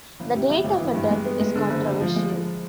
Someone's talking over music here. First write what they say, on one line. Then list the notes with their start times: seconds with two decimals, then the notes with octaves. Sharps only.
The date of her death is controversial.
0.20 G1
0.35 C3
0.49 G1
0.64 G#1
0.80 E3
0.94 G2
1.10 G#3
1.25 B3
1.40 G#3
1.55 D3
1.70 F#1
1.86 F#1
2.01 F3
2.16 G#3
2.31 F3